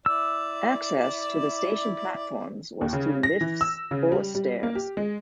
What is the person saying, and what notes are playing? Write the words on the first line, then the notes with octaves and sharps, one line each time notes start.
Access to the station platforms was through lifts or stairs.
E4 D5 E6
D#2
C#3
A#6
E3
E6
C#3
G3
G3
A#3
G4
G#3